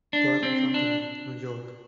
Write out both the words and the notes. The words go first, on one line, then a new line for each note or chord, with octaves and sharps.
Burt and Company, New York.
D4
C4
D4